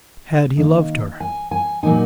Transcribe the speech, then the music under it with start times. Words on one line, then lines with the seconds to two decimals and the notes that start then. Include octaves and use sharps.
Had he loved her?
0.57 D#3 A#3 D#4
1.20 G#5
1.51 G#5
1.83 A#2 F#3 A#3 D#4 G#5